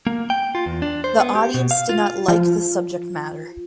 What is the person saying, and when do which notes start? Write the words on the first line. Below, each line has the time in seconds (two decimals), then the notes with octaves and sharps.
The audience did not like the subject matter.
0.07 A#3
0.30 G5
0.55 F4
0.66 E2
0.82 D4
1.04 C5
1.20 B3
1.35 G4
1.54 B2
1.71 F5
1.89 F4
2.28 F3